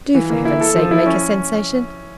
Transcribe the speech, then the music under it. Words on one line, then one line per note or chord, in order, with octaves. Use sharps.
Do for Heaven's sake make a sensation.
E3
A#3
E4
A4
F3
E4
C#4